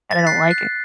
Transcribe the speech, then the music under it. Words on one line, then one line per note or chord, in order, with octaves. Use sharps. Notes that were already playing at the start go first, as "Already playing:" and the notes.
and I don't like it.
A6
B6
F#6 A6 C7
F#6